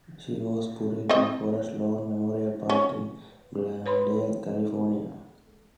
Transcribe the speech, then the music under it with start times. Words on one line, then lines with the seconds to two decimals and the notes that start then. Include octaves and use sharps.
She was buried in Forest Lawn Memorial Park in Glendale, California.
1.09 C4 D#5
2.69 C#4
3.86 B4 C#5 B5 C6